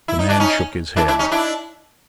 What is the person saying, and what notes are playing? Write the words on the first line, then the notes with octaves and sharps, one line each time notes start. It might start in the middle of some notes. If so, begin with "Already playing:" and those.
The man shook his head.
E4
D#4
D4
C#4 D#4
D4 E4
D4 E4
C#4 D#4
D4 E4